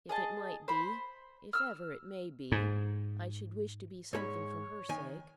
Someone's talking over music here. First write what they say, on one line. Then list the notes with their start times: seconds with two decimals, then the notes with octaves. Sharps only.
If it might be,--if ever it may be,--I should wish to be something for her sake.
0.09 G#4 D#5 A5
0.68 C5 B5
1.53 E6 F6
2.52 G#2
4.13 G#2 A4 C#5 B5
4.89 D#3 G#5